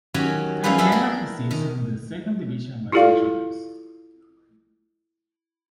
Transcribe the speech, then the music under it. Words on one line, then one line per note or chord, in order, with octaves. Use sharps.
At the end of the season the second division was introduced.
D#3 F#3 C#4 F#4 G4 G#5
C#4 E4 F4 G#4 B4
B3 D4 E4 D5 E5 G5
A#4
D#3
E4 F4 G4 A4 D5 F5